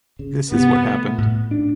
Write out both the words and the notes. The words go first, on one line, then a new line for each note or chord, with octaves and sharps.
This is what happened.
C#3
C3 B3
A3
A2
D4